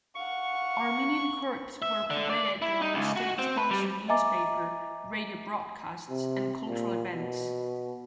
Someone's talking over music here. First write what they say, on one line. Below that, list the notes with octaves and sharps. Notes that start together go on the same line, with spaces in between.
Armenian Kurds were permitted their own state-sponsored newspaper, radio broadcasts and cultural events.
F5 F#5 C#6
E5
D3
D5
E4
D#4
C#2
F#4
C4
B4
G3
D#5 E5 G#5 A#5 D6 A6
C3
A#2
B2